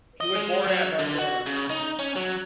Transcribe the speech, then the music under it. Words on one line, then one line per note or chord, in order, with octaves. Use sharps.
He was born at Barcelona.
D#5
G#3
F#3
D3
F#4
C#3
D#4
C#4
F#3